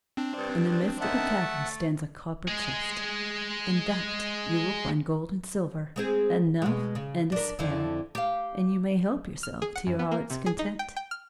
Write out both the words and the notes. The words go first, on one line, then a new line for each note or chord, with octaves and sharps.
In the midst of the cavern stands a copper chest, in that you will find gold and silver, enough and to spare, and you may help yourself to your heart's content.
C4 D4
G2
D#3 E5 F#5 A5
A3
G#3 G#4
G#3 C4 G#4
B2 G#3
C#3
D4 A#4
F2 D3 E4
G4 F5
F6
G#4
F#5
F#2
B3
A#3
C3
G#4
D#4
G5
G5
F6